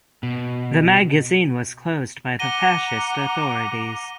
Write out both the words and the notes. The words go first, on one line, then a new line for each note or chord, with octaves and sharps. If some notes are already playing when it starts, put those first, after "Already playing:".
The magazine was closed by the fascist authorities.
B2
F#5 A#5 D6 A#6 D#7 G7